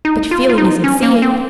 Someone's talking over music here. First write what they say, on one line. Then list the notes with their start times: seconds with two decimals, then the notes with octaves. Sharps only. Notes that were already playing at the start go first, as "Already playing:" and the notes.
But feeling isn't seeing.
0.05 D#4
0.31 F4
0.49 F4
0.58 D#4
0.84 C#4
1.03 A#3
1.22 C4